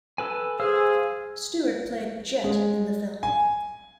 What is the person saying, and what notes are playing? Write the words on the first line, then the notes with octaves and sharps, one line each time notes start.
Stewart played Jett in the film.
A4 B4 G#5
G#4 C5 F5 E6
G#3
G#5